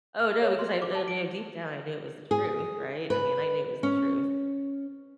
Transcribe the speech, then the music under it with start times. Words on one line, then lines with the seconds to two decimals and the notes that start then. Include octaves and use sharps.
Oh, no, because I I knew deep down, I knew it was the truth, right? I mean, I knew it was the truth.
0.19 F6
0.42 C#5
0.59 C6
0.82 D6
0.95 A5
1.08 D7
2.31 G#4
3.10 B4
3.83 C#4